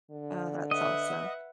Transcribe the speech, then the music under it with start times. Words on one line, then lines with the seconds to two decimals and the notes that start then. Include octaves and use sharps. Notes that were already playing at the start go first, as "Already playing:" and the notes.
Oh, that's awesome.
0.11 D3
0.71 B4 D#5 E5 F#5